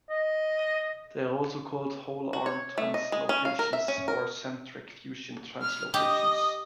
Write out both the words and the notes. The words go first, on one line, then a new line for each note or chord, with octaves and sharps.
They are also called whole-arm translocations or centric-fusion translocations.
D#5
F#4
C#5
A3
D#5
G#3
C#4
F5
A#4
E5
C#4
A#4
F6
G4 D#5